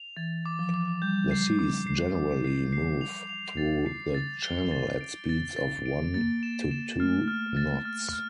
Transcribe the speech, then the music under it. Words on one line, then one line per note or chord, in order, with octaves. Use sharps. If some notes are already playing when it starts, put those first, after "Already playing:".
The seas generally move through the channel at speeds of one to two knots.
Already playing: F7
E3 A6
D6
F3
D6
G3 G6
C7
D6
C7
D6
C7
C7
F7
F7
A6
C7
A6
G7
A6
D7
A6
A6
D7
A#3 A6
E7
E7
A3 F6
F6
A6
F6
F6